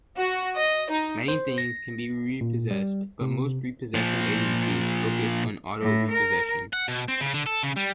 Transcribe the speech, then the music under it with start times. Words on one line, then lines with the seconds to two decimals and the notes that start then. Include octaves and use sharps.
Many things can be repossessed, but most repossession agencies focus on auto repossession.
0.18 F#4
0.57 D#5
0.90 D#4
1.28 C5
1.58 A#6
2.41 A#2
2.71 G3
3.21 C3
3.95 A#2 F3
5.80 A2
6.10 A#4
6.73 F#5
6.88 B2
7.08 C4
7.21 C#3
7.34 D3
7.46 A4
7.64 C#3
7.77 G3